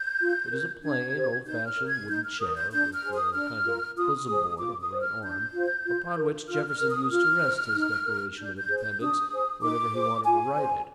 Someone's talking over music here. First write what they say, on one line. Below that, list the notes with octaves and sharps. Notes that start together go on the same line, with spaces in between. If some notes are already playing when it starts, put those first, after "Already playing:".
It is a plain, old-fashioned wooden chair, with a kind of bosom-board on the right arm, upon which Jefferson used to rest his Declaration of Independence whenever he wanted to write it.
Already playing: G6
F4
A#4
D4 G#6
G4 C5
D#4 G6
F6
A#4
G#6
D#4 G6
F6
A#4 D#6
G6
D4 G6
F6
G#4 C5
D#6
D4 F6
F4 A#4
F4 D#6
G#4 C5
F4 D6
D#6
C5
F6
D4 G6
F4 C5
F4
A#4
F4 F6
F6
A#4
D#6
F4 F6
C5
D#4
A#4
D4 G6
G6
G#4 C5
G6
D4 D#6
G#4 C5
D#4 D6
G#4 C5
F4 G#5
C5